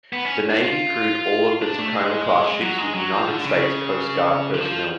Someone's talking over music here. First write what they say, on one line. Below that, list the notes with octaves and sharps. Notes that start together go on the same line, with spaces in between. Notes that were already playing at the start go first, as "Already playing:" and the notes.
The Navy crewed all of the "Tacoma"-class ships with United States Coast Guard personnel.
B3
C#4
D4
F4
D4
A3
G#3
F#3
G#3
F#3
F3
D3
C#3
D3
F3